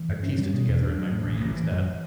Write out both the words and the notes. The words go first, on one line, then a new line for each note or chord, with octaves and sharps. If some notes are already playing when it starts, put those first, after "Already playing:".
I pieced it together in my brain is that,
Already playing: E3
G2
C#4
G3
B2
E2
D4
F#3
A2
A1
A1
E3
F#2